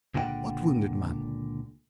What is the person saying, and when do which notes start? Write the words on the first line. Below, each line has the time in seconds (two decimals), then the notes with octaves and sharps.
"What wounded man?"
0.14 C#2 A#2 D3 F#4 F#5 G5